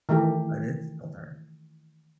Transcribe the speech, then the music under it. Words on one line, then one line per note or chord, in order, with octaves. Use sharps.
but it's still there.
D#3 E3 A3 G4